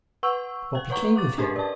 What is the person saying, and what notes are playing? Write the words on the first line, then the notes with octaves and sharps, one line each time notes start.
What became of him?
B4 F#5 C#6 E6
F5 G5
B4 C#5 F#5 A#5 C#6
F5 D6 A6
C#4 D4 G4 G#4 A#4 B4
D5 A5